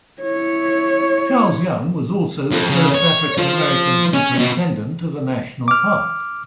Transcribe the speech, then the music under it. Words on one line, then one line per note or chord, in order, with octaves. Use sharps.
Charles Young was also the first African American superintendent of a national park.
E4 C#5
F2
C#3
C#5
F3
C#4
B2
D6 F6